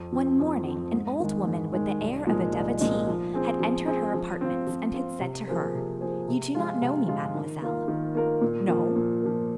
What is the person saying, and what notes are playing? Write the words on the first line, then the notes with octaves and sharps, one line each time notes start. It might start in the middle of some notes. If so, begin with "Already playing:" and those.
One morning an old woman with the air of a devotee, had entered her apartments, and had said to her, "You do not know me, Mamemoiselle?" "No."
Already playing: F2
F3 C4
F2
F3 C4
G#2
D#3 G#3
G#2
D#3 G#3
C2
A#2 F3 G#3 D#4
C2
A#2 F3 G#3 D#4
F3
C4 G#4
F3
C4 G#4
F3
C4 F4
F3
C4 F4
C3
F3 A#3 G#4 C5
C3
F3 A#3 G#4 C5
C3
F3 G#3 F4
C3
F3 G#3 F4
D#3
A#3 F4 A#4
D#3
A#3 F4 A#4
A#2
F3 A#3
A#2
F3 A#3